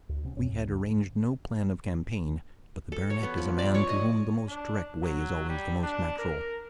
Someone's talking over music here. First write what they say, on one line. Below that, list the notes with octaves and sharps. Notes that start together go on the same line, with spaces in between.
We had arranged no plan of campaign, but the baronet is a man to whom the most direct way is always the most natural.
D2
C3 B3 C#4
E1 F#2 C#4
D2
D2 D3
A4
C#5
B3
F3
D5
C#5
D#5
D4
F#3
G3
D4
A#4